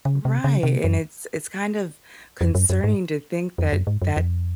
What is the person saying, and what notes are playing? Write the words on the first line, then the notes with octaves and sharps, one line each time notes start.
Right, and it's it's kind of concerning to think that that
C#3
C3
C#3
C3
F#2
F2
F#2
F#2
G#2
F2
F#2
G#2
F#2
F2